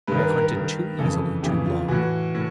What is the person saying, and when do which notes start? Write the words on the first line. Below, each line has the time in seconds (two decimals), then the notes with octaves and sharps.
I have hunted too easily too long.
0.07 G2 D#3 B4
0.19 A#4
0.30 A#4
0.42 A#4
0.53 G2 D#3
0.99 F2 C#3 E3 A4
1.43 F2 C#3 E3 G4
1.66 F4
1.88 A2 E3 F#4
2.35 A2